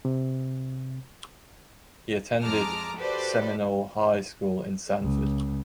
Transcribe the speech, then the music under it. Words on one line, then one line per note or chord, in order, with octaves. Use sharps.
He attended Seminole High School in Sanford.
C3
F2 G#3 A5 A#5 D6 F6
F#4 G4 A4 B4 C5 D5
C#2